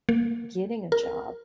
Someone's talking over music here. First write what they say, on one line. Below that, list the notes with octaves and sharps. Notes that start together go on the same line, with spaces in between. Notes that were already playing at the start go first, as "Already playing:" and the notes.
getting a job,
A#3
A#4